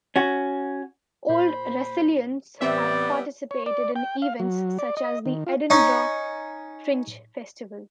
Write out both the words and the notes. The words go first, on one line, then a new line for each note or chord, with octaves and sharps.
Old Russellians have participated in events such as the Edinburgh Fringe Festival.
C#4 F#4
A#2 C5 B5
A2 E3 G3 B3 C4 D5 E5
C#5
D5
G5
F5
F#3
D5
D#5
D#3
F4
C#4 D#4